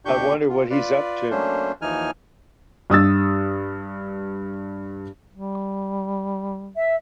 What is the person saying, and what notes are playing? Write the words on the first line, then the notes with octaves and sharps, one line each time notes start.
I wonder what he is up to.
D2 A#2 D4 G4 C#6 G6
F4
F4 B4 D5
F#3 A3 A#3 C#4 D4 C5
D#2 E3 F3 D#4 G#5 F6
G2 D#6 E6 A6
G3
E5